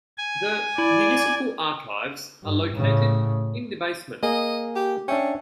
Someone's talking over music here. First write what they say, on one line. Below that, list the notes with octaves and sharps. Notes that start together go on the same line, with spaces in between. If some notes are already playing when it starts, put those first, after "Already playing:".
The municipal archives are located in the basement.
G#5
E4 D5
G2
A2 C#3
A#3 G#4 D#5
G4
C#4 D4 E5 G5